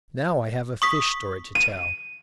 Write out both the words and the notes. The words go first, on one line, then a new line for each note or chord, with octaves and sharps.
Now I have a fish story to tell.
C#6 D#6 B6
D#7